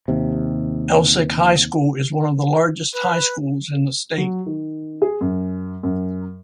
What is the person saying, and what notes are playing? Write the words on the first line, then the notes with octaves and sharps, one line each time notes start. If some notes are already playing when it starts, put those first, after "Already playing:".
Elsik High School is one of the largest high schools in the state.
D#2 C3
B4
F#3
D#3
G#4
F#2
F#2